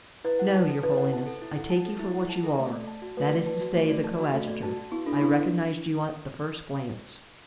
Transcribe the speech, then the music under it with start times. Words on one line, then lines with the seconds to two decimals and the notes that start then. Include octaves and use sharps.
"No, your holiness, I take you for what you are, that is to say, the coadjutor; I recognized you at the first glance."
0.24 E4 B4
0.39 F#5
0.54 A5
0.68 A4
0.83 E4 B4
0.97 F#5
1.13 A5
1.27 A4
1.42 E4
1.56 F#5
1.70 A5
1.86 A4
1.99 E4
2.14 F#5
2.29 A5
2.44 A4
2.59 A3
2.73 D5
2.87 A5
3.02 F#4
3.17 A3 B4
3.32 D5
3.46 B4 A5
3.61 F#4
3.75 A3
3.89 D5
4.04 A5
4.19 F#4
4.33 A3 A4
4.47 D5
4.62 F#4 A5
4.78 F#4
4.91 B3 E4
5.06 D4 A4
5.17 D4
5.21 B3 E4